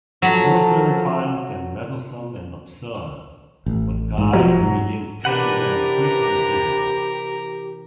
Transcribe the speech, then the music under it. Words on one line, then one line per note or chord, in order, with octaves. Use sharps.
Rosemary finds them meddlesome and absurd, but Guy begins paying them frequent visits.
F3 F#3 A4 B5
A1
G#2
E1 F3 F#3
G#2
C3 E3 D4 G4 A#4 B4 F#5